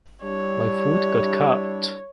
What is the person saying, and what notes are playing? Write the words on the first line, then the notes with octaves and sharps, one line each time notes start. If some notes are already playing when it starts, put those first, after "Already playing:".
My foot got caught.
G3 D4 E4 C#5